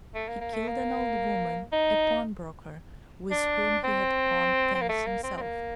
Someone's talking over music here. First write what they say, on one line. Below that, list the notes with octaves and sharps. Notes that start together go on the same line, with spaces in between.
He killed an old woman, a pawnbroker, with whom he had pawned things himself.
A3
A#3
A#3
A3
A#3
D#4
D4
C4
C4
A#3
A3
A#3
C4
C4
A#3